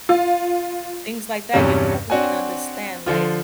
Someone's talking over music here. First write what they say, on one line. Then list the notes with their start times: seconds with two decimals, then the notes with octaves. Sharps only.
Things like that, you don't even understand, like,
0.09 F4
1.53 E2 G2 C3 F#3 G3 C#4
2.10 C4 D4 F#4 C#5 G#5
3.06 D3 F3 F4